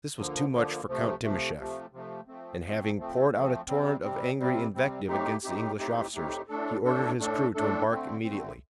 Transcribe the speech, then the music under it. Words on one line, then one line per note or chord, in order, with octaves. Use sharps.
This was too much for Count Timascheff, and having poured out a torrent of angry invective against the English officers, he ordered his crew to embark immediately.
D3 F3 A#3
D3 F3 A#3
C3 F3 A3
C3 F3 A3
C3 F3 A3
C3 F3 A3
F3 A3 C4
F3 A3 C4
F3 A3 C4
F3 A3 C4
C3 G3 C4
C3 G3 C4
C3 G3 C4
C3 G3 C4
A2 A3 C4 D#4 G4
A2 A3 C4 D#4 G4
A2 A3 C4 D#4 G4
A2 A3 C4 D#4 G4
A2 A3 D4 A4
A2 A3 D4 A4
A2 A3 D4 A4
A2 A3 D4 A4
D3 A3 C4
D3 A3 C4